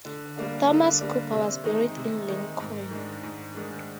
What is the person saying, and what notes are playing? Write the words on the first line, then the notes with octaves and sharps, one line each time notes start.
Thomas Cooper was buried in Lincoln.
D3
G3 A#3 D4
D3
G3 A#3 D4
C3
D#3 G#3 D#4
C3
D#3 G#3 D#4
G#2
D#3 G#3 D4
G#2
D#3 G#3 D4